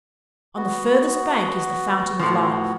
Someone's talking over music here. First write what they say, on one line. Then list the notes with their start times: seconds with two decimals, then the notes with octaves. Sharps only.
On the furthest bank is the fountain of life.'
0.56 B3 F#4
2.19 A2 F3